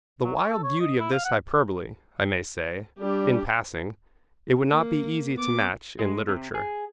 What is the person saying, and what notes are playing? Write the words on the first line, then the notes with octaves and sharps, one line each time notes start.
The wild beauty of this hyperbole, I may say, in passing, it would not be easy to match in literature.
F#3
C#5
A4
C#5
D#5
E4
F5
F#5
G3 D4 G4
A#3
B3 D6
G#3
C3
G#4